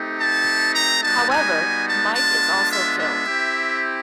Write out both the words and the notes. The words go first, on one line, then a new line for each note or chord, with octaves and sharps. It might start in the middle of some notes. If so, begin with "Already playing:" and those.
However, Mike is also killed.
Already playing: A3 C4 D#4 G4
A5
A#5
G3 B3 D#4 F#4 A5
G#5
A5
G#3 B3 D4 F4 A5
E5
E5
C4 E4 G4